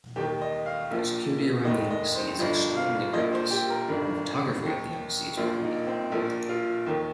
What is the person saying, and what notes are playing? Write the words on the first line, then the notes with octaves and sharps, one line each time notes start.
Security around the Embassy is extremely rigorous and photography of the embassy is prohibited.
D#2 D#3 G4
D#5
F5
A#1 A#2 F3
F1 D#2 D#3 D#5
D#5
C5
G1 G2 F3 D#5
F5
A#1 A#2 F3 D#5
C5
G4
A#4
G1 G2 D#3
D#2 D#3
A#1 A#2 F3 F4
D#4
C4
A#1 A#2 F3
F4
D#2 D#3